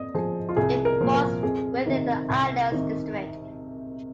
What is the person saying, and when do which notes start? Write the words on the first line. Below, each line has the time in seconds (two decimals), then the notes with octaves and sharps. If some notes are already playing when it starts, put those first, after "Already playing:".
It falls within the Islands District.
Already playing: F2 D#5
0.15 F3 G#4
0.49 F4
0.56 C2 G#4
0.85 A#4
1.01 A#2 F3
1.15 A#4
1.43 F2 G#4
1.86 C3 D#3
2.30 C2
2.72 C3 D#3